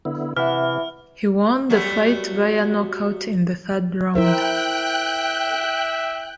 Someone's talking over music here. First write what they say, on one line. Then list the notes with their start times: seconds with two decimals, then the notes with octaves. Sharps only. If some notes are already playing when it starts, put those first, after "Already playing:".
He won the fight via knockout in the third round.
0.05 D3 B3 E4
0.37 C3 E3 E5 F#5 F6
1.70 F#3 G3 A3
4.15 E4 A#4 C5 E5 G5 F#6